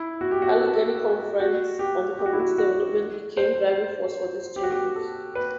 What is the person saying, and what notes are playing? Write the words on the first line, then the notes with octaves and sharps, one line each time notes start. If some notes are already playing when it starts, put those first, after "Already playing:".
The Allegheny Conference on Community Development became a driving force for these changes.
Already playing: E4
F#4
G4
F#4
A4
F#4
G4
G4
F#4
E4
F#4
F#4
C5
G4
F#4
G4
A4
B4